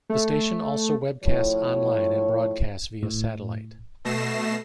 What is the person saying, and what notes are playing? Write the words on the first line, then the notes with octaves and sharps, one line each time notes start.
The station also webcasts online and broadcasts via satellite.
A3
A2 F3 C#5
A2
B2 A3 A#6 C7 E7